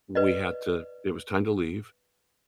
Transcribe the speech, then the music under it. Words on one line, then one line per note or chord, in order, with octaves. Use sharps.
we had to it was time to leave,
B4 D5 D#5